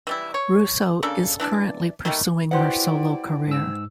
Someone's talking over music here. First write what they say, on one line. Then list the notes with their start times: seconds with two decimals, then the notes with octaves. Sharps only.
Russo is currently pursuing her solo career.
0.07 E3 G3 E4
0.34 C#5
1.03 C#3 A#3 D4 A4
1.40 E3 D4 E4 D5
2.05 D#3 G3 A3 A#3
2.51 E4 F#4 G4 B4 C5 D5 F#5 C6
3.47 G#2 E6